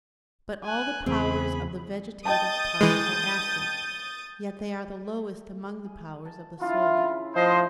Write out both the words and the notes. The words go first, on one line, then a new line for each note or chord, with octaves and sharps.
But all the powers of the vegetative part are active; yet they are the lowest among the powers of the soul.
G#5 F#6
E2 C#3 C4 G#4 B5
D#5 G5 A5 D#6 G6 A6
E3 G#3
G#4
A5
D4 E4 F4
C#3 B5
A2 F3 C5 D#5